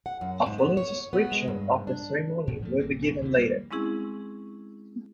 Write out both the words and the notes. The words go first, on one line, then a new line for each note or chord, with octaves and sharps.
A fuller description of the ceremony will be given later.
F#5
F#2
G#2
B3
C#5
B3
G#3
G2
G#2
D4
G#2
F3 A3
G1 A#3 C4
A#1 F#2
D#2 C3 D#3 E3
G3 A3 A#3
G#3 C4 C#4 E4 G#4